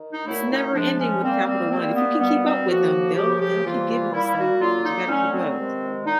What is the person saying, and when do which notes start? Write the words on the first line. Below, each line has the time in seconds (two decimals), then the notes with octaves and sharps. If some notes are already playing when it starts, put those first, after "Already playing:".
it's never ending with Capital One. If you can keep up with them, they'll they'll keep giving you stuff, but you gotta keep up, so
Already playing: D#3
0.09 D#4
0.25 A#2 F#3 A3 E4
0.49 D#4
0.73 C#3 F3 G#3 D4
0.98 C#4
1.22 A#2 G3 A#3 C4
1.46 C4
1.70 D#3 G3 A#3 C4
1.94 B3
2.18 B2 G3 A#3 B3
2.43 C4
2.66 A2 F3 A#3 F#4
3.14 C#3 F3 A3 G4
3.39 G4
3.63 C3 E3 G3 A#3 F4
3.88 F4
4.11 A#2 G3 A#3 E4
4.36 F#4
4.59 D3 F#3 A#3 F4
4.84 D#4
5.07 D3 F#3 A3 C#4
5.32 C4
5.56 C3 D#3 G#3
6.04 A#2 D#4